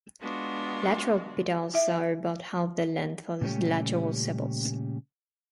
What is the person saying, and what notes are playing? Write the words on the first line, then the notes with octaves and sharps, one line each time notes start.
Lateral petals are about half the length of the lateral sepals.
G#3 B3 D4 F4 F#4
E4 E5
A#2 C#3 G3 A3 C#4 G4